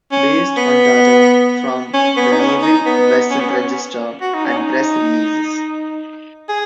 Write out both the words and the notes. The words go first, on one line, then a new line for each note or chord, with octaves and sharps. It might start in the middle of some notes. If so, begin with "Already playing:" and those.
Based on data from the Naval Vessel Register and press releases.
C#4
B3
C#4
B3
D#4
C#4
D#4
B3
C#4
B3
C#4
F#4
D#4
C#4
D#4
G#4